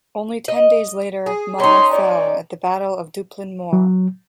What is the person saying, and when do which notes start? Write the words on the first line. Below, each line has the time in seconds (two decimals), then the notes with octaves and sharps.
Only ten days later Mar fell at the Battle of Dupplin Moor.
0.48 D#5
1.26 G#4
1.60 C#4 D#4 C6
1.93 D5
3.73 F#3